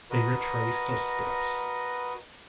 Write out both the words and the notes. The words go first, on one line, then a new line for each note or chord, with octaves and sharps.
They retraced their steps.
F#4 A#4 B4 D#5